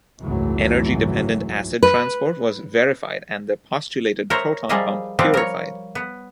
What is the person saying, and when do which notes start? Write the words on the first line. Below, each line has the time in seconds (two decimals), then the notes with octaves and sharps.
Energy-dependent acid transport was verified and the postulated proton pump purified.
0.23 G#1 C#2 F#2 E3 F#3 A3
1.83 B4
4.30 A#4 C5 C#5 E5 A#5
4.69 F3 G3 G#4 A#4 D#5 E5
5.19 F3 G3 B3 C4
5.34 A#4 C#5
5.95 B3